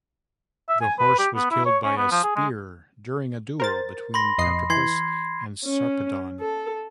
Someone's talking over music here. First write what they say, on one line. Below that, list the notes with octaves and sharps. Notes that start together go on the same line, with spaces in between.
This horse was killed by a spear during a duel between Patroclus and Sarpedon.
E5
G#5
B4
G4
B3
E4
C#5
C#4
B3
F3
G#4
G#3
A#4 C5 A6
B5 C6 A#6
F2 D#5 C7
E3 C6 G#6 C7
C#4
A4